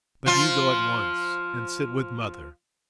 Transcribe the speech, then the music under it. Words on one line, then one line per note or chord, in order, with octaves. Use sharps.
But you go at once and sit with mother.
F3 F4